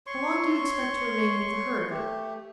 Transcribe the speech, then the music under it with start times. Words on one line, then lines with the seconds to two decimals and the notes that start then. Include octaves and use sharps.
How long do you expect to remain with the herd?
0.07 C#5 C6 C#6
1.90 A3 G4